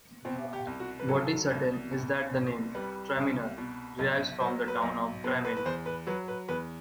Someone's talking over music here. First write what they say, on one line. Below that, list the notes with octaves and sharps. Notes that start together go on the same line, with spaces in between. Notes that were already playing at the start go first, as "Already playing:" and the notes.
What is certain is that the name "Traminer" derives from the town of Tramin.
B2 C4
G4
C2
F#4
B4
F#3 A4
C2
B2
C2
G3 B4
C2
B2
B1
F#3 C5
B4
B1
B2 B4
B4
B4
E2 C5
B4
F#3 B4
B4
E2 B4